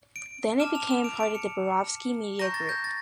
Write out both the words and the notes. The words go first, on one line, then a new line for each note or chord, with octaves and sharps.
Then it became part of the "Berezovsky Media Group".
D7
A5 D6 F6 E7
F7
E7
D7
D7
C#7
A#5 C#6 G6 A#6
A6
G6
A6